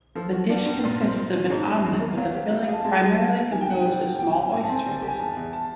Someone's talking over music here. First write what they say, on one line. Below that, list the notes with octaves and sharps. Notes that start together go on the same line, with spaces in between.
The dish consists of an omelette with a filling primarily composed of small oysters.
F3 A4
F#4
G2 D5
G2
A#2
C4
A#2
C#4
G#2 C#5
C#4
E2
A#3
F#3 F5
G4
G3 E5
F5
G#4
A5
G#3 A5
G#4
A3
A#4
D#3 G#5
G5
D#3 F#5
G5
G3
G3
B2 G5
G#5
C#4
A2 G#5
A5
C4
G#5
G3
G4
G#5
E2 A5
E2
A5